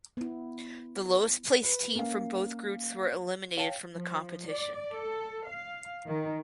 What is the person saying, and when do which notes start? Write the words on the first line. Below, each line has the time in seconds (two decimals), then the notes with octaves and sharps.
The lowest placed team from both groups were eliminated from the competition.
0.17 B3 E4
1.63 B4
1.95 A#3 C#4 F5
3.57 C#5 F5 G5 A5
3.95 F3
4.48 D5
4.94 A4
5.50 F5
6.07 D#3